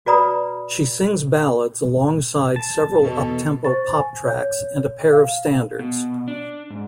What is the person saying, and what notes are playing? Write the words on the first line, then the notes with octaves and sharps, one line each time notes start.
She sings ballads alongside several uptempo pop tracks and a pair of standards.
F#4 B4 D5 A#5 B5 D#6
A5
E2 B2 B3 A4
C5 C#6 A6
G#5
C#5 G6
F5
B2
D4
G#2